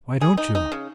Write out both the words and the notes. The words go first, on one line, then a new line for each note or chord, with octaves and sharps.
"Why don't you?"
G#4
D#4
D#4
C#3